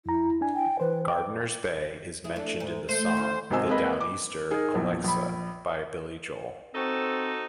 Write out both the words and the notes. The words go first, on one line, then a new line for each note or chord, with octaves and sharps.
Gardiners Bay is mentioned in the song "The Downeaster 'Alexa'" by Billy Joel.
F2 E4 A#5
D4 E4 G#5
G5
E3 B4 C5
G5 D6
E4 G#4
A3 D4
G#2
A3 C5
E2 C#4
G#1 C3 C5 D#5 G#5 E6
G#3 A#3 C4 G#4 B4 D#5
D6
D#4 G#4 A#4
A#1 E2
A#1 B5
C4 D#4 F#4 A4